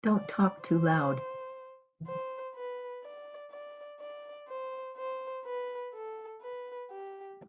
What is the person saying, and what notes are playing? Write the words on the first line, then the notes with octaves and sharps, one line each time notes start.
Don't talk too loud.
D5
C5
C5
B4
D5
D5
D5
C5
C5
B4
A4
B4
G4